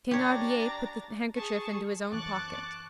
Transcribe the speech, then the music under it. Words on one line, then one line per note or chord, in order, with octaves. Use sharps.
Thenardier put the handkerchief into his own pocket.
D4 G4 C#5 A#5 A6
G#4 A5 C#6
F#2 E3 A5 C#6 D6 F#6 A6